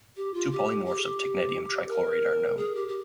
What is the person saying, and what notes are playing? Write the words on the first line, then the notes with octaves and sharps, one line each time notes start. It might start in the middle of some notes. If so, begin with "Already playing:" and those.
Two polymorphs of technetium trichloride are known.
G4
F4
G4
G4
G#4
G4
A#4
G#4
G4
G4